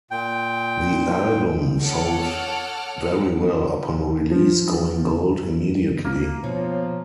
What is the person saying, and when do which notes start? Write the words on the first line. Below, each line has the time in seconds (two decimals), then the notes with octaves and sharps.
The album sold very well upon release, going Gold immediately.
0.11 A#2 G5
1.80 A4 C#5 F#5 D6 E6 F6
4.31 F3
6.05 A#3
6.44 B2 F3 C#5